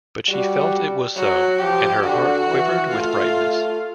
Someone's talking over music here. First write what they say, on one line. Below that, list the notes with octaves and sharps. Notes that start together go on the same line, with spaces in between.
But she felt it was so, and her heart quivered with brightness.
G3 F#4
F#3 F#4
F3 G4
D3 F#4
E3
A3 F4